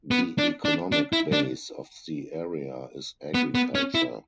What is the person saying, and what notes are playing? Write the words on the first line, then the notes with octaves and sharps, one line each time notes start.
The economic base of the area is agriculture.
B3
D4
D4
D4
E4
D4
B3
B3
C#4
E4